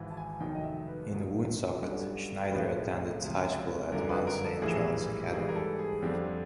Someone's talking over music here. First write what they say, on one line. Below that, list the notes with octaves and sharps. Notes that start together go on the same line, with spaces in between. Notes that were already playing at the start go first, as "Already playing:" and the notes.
In Woonsocket, Schneider attended high school at Mount Saint Charles Academy.
Already playing: G#1 G#2 E3
A5
G#5
F1 D#2 D#3 F#3 G5
D#5
E5
B4
A#1 G#2 D#3 F#3 A#3
G1 F#2 D3 G3
B1 A2 F3 G#3 B4
C#2 C3 F3
G1 F#2 D3 A#4
B4
A#4
A4
A#1 A2 E3 G3 A#3 G#4
G#2 E3 G3 G#4
A#4
A4
G#4
F2 D3 G3 C4 G4